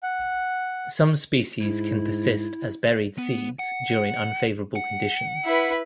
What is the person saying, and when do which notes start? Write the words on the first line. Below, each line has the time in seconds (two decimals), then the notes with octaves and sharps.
Some species can persist as buried seeds during unfavorable conditions.
0.03 F#5
1.61 G#2 E4
3.18 B3
3.59 F#5
4.76 F#5
5.45 E4 B4